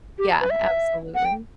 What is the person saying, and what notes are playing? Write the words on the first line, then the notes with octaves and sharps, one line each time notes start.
Yeah, absolutely.
G4
B4
E5
F#5
G5